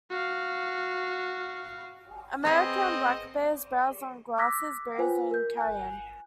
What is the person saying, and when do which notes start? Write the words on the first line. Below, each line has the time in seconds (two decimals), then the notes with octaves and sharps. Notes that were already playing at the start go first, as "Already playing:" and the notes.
American black bears browse on grasses, berries, and carrion.
0.10 F#4 F5
2.45 B3 C4 G#4 D#5
4.38 D6 E6 F#6 G#6 A#6 B6
4.98 F4 B4 C5 G#5
5.31 A#4 G6
5.57 G#5 F#6